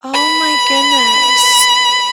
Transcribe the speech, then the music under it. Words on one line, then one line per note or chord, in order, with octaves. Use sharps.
Oh my goodness.
B5